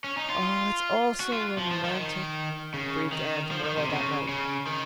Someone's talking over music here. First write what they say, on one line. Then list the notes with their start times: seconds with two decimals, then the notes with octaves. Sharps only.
"Oh, it's all so romantic," breathed Anne to Marilla that night.
0.04 C#4
0.17 D#4
0.30 F4
1.20 F#4
1.33 F4
1.58 F3
1.71 F3
1.84 D#3
2.74 C#3
3.13 D#3
3.51 F3
3.64 D#3
3.77 C3
3.90 C#3
4.29 C#3
4.67 D#3